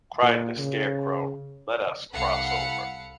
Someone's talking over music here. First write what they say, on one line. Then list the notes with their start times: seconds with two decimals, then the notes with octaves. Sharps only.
Cried the Scarecrow, "let us cross over."
0.22 A#2
0.58 C#3
2.12 C2 A4 F5 F#5 B5 C#7